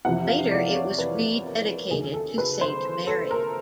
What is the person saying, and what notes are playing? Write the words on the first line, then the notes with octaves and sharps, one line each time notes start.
Later it was re-dedicated to Saint Mary.
F2 C3 E3 F#5
F5
D5
C#5
B4
A#4
D#2 C#3 F#3 G#4
A4
B4
C5
A4
A#4